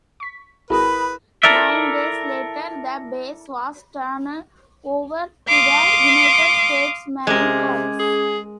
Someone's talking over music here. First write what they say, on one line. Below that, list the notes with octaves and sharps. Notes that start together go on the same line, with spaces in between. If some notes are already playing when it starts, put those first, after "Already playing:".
Nine days later the base was turned over to the United States Marine Corps.
C#6 B6
G#1 E4 F#4 G#4 A#4 B4 B5 D#6
E4 A4 A#4 D5 E5
F5 C6 D6 D#6
C3 G#3 C#4 A#4 D6 G#6
G#4